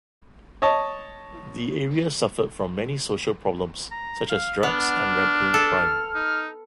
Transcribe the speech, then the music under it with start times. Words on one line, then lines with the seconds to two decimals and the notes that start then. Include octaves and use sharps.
The area suffered from many social problems such as drugs and rampant crime.
0.62 C#5 D#5 A5
3.91 A#5
4.30 F5
4.63 B3 D4 F6
5.54 A4
6.15 D#4